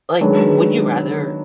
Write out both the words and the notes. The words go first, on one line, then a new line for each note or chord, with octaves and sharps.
Like, would you rather
D#3 F#3 G#3 D4 G#4 B4